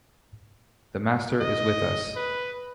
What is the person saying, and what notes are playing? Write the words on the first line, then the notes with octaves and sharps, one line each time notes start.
The Master is with us.
D#5
B4